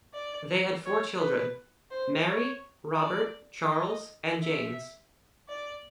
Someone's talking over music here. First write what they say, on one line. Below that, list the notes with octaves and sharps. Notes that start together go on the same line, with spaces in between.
They had four children-Mary, Robert, Charles and James.
D5
C#5
B4
C5
C#5
D5
D#5
E5
D5